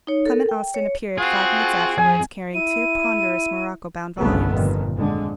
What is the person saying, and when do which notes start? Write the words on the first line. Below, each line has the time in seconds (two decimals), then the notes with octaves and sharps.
Clement Austin appeared five minutes afterwards, carrying two ponderous morocco-bound volumes.
0.07 D#4 C#5
0.26 A4 A#4
0.49 G5
0.74 C#5
1.18 C4 F4 F#4 G#4
1.98 F2 G#5
2.54 E4 D#7
4.18 G1 C2 G2 C#3 A3 B3
4.51 G1 F2 A#2 D#3
4.96 F2 D3 G#3